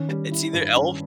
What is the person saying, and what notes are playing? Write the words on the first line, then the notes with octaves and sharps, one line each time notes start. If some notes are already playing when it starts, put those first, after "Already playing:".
It's either Elf
Already playing: D#3 C#4
G3
E4
G2
C#4